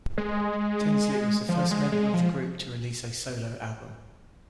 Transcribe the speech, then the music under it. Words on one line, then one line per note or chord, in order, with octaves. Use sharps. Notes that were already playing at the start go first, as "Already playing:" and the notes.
Tinsley was the first member of the group to release a solo album.
G#3
F3
G#3
G#3
F3